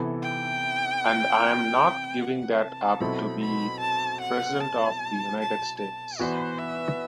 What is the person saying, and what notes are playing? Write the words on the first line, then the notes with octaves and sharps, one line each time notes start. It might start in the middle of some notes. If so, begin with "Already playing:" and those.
And I'm not giving that up to be President of the United States.
Already playing: C3 E3 B3 E4 A4
G5
F#5
A5
B2 F#3 C4 E4 A4 B5
B5
A5
F#5
A5
A5
A5
E3 B3 F#4 B4 C5 D5
E5